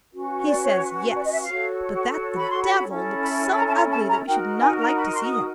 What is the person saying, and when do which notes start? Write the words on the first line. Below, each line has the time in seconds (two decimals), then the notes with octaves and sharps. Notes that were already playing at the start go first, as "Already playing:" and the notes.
He says ''Yes;'' but that the Devil looks so ugly that we should not like to see him.'
0.12 C#4 F#4 B4
0.46 D5
0.64 C#5
1.15 D5
1.23 D#5
1.32 E5
1.41 F5
1.49 F#4 A4 C#5
2.36 B5
2.50 C6
2.63 B5
2.88 C#4 E4 A4
3.22 B5
3.57 A#5
3.68 A5
3.74 A#5
3.91 A5
4.09 A#5
4.26 D#4 F#4 A#4 G5
4.60 G#5
4.78 A#5
4.95 B5
5.12 C6
5.30 D#6